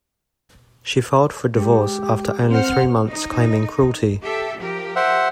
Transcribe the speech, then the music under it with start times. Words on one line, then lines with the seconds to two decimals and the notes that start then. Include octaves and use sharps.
She filed for divorce after only three months claiming cruelty.
1.57 G#3 G4
2.51 C4 C5 F#5 F6
3.09 D#4
4.22 G4 A4 E5
4.60 F3 G4 A#4
4.96 C5 E5 F#5